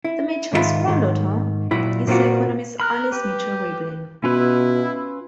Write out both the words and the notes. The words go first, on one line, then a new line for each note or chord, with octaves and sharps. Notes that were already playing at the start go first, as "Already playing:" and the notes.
The Mitchells' granddaughter is the economist Alice Mitchell Rivlin.
E4
G#2 D#3 E4 F4 E5 B5
G#2 D#3
A#2 F#3 E4 B5
A#2 A#3 C4 F4 F#4
A#4 B5 F6 F#6
G4 B4
B2 C#4 E4 F4 B4